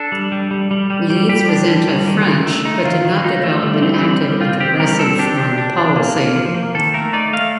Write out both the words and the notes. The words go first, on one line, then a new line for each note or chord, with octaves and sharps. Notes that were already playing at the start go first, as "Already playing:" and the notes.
Leeds was anti-French but did not develop an active and aggressive foreign policy.
Already playing: D4 A4
G3
G3
G3
G3
G3
G3
G3 G4
D4
G3
G3
D#3
D#3
A3
D#4
D#3 F4
D#3
D#4
A3
G3
C4
G3
G3
C4 F4
C4 G4
G3 A#4
C4 A4
D4 G4
D4
D4
D4
A#3
A#3
F3
A#3
D#3 A4
A3 A#4
D#4 D5
A3 F5